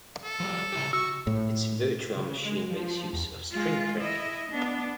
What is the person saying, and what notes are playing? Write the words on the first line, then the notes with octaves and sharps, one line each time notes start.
Its virtual machine makes use of string threading.
A4
F3 G3
C#3 E4 G4
F#4 C#6 E6
A2
C#3
G#3
F3
E2
G#3 F4
E4 D#5
B3 D4